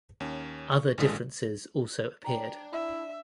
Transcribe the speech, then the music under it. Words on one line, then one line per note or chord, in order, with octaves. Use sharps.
Other differences also appeared.
D#2 C#4
C#6
A1 A#2 D3 G#3 D#6 B6
D4 G5 A#5
E4 E5